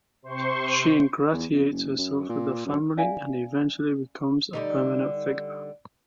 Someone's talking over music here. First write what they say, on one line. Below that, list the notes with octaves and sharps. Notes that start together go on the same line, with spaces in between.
She ingratiates herself with the family and eventually becomes a permanent fixture.
C3 C5 C6 C#6
E2
F2
F#1
F#2
A#2
F#2
C#4 D5 E5 F5 G#5
D3 G3 D#4